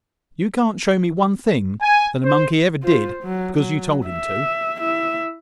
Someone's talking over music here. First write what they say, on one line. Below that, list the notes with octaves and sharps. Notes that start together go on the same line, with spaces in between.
"You can't show me one thing that a monkey ever did because you told him to."
G#5
C5
F4 C5
F#3
F#3
E5
E4 E5